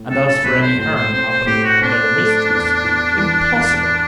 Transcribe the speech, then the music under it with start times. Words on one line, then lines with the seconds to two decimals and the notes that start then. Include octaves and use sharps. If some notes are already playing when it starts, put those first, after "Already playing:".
And as for any harm happening to their mistress--impossible!
Already playing: A2
0.10 B1 A4
0.27 A4
0.44 B1 B4
0.62 C5
0.78 A2 C5
0.95 C5
1.13 C4 C5
1.29 C5
1.46 A2 G4
1.64 F#4
1.81 C4 D4
2.16 A3
2.50 E2
2.84 E2
3.18 E3
3.52 E2